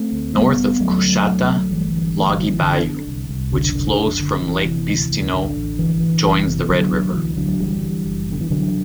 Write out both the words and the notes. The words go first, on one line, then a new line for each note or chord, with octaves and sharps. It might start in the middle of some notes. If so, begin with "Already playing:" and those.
North of Coushatta, Loggy Bayou, which flows from Lake Bistineau, joins the Red River.
Already playing: A3 C4
D2
F#1 G3 B3
B2
D2 F#3 A3
D2
B1
B1
G1 E3 G3
D3
G1 A3
G3
D3 F#3
E3
F#1 D3
D3
C2
C2
F#1 D3
D3
F#1
D3
E1 E3
C3
D2
D2
A1 D3
A1
G1 E3
D3
F#1
C3
B1 D3 F#3
B1
D2 E3
D2 D3 F#3
F#1 E3 G3
D3
F#1
B2 D3
E3
B1 D3 F#3